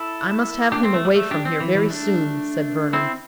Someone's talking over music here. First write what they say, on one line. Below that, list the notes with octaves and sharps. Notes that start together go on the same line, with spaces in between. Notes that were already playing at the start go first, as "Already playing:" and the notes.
"I must have him away from here very soon," said Vernon.
Already playing: E4 A4
D4 G4
C4
A3
G3
A3
D4 G4
C4
E3
E3
A3 D4
C4 E4